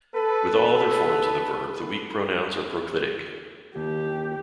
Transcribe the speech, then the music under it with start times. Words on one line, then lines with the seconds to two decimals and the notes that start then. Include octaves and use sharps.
With all other forms of the verb, the weak pronouns are proclitic.
0.15 A4 B4
3.76 D#2 G4